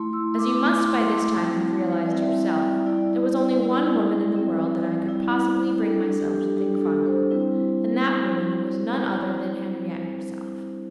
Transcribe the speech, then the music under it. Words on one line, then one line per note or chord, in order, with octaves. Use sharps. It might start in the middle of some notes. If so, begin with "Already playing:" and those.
As you must by this time have realized yourself, there was only one woman in the world that I could possibly bring myself to think fondly of, and that woman was none other than Henriette herself.
Already playing: A3 E4 C6
E6
D6
A3 E4 D6
C6
A5
G3 C4 E4 A5
D5
G3 C4 E4 E5
G5
G3 E4 D5
G3 E4
G3 C4 E4
G3 C4 E4
G3 D4 A4
G4
G3 D4 G4
A4
C5
G3 C4 E4